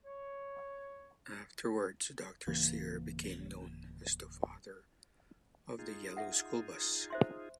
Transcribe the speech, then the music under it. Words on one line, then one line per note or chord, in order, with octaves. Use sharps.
Afterwards, Doctor Cyr became known as the "Father of the Yellow School Bus".
C#5
D1 C#3 E3 A#3
D#4 F4 G#4
E5 F#5
C5 E5 C6